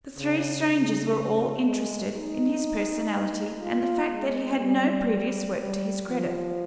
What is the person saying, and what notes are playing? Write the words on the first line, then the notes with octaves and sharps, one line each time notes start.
The three strangers were all interested in his personality and the fact that he had no previous work to his credit.
C#3
C#3
G#3
D#4
F4
G#3
G3
G3
F3